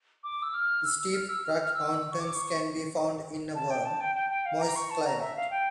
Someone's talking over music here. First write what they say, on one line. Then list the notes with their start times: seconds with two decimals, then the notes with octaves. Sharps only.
Steep, rugged mountains can be found in a warm, moist climate.
0.23 D6
0.42 E6
0.54 F6
0.84 E6
0.99 E6
1.14 F6
1.29 E6
1.45 F6
1.64 F6
1.74 E6
2.12 C#6
2.20 D6
2.34 C#6
3.55 A5
3.70 G5
3.85 A5
4.00 G5
4.15 G5
4.30 G5
4.45 F5
4.61 A#5
4.76 C#6
4.90 A5
5.06 A#5
5.20 E5
5.36 F5
5.51 G5